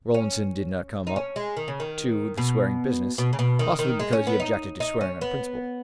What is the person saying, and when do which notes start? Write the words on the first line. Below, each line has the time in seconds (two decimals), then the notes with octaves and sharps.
Rollinson did not come up to the swearing business; possibly because he objected to swearing on principle.
0.14 C#4
1.07 D#4
1.16 C#4
1.36 G#3
1.57 D#3
1.68 C#3
1.80 D#3
2.37 B2
3.18 B2
3.33 C#3
3.39 B2
3.59 D#3
3.79 D#3
3.99 G#3
4.13 C#4
4.27 B3
4.40 D#4
4.80 D#4
5.01 C#4
5.21 B3